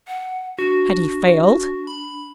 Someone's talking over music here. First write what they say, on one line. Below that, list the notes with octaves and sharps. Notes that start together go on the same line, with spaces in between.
Had he failed?
F#5
D4 F#4
B5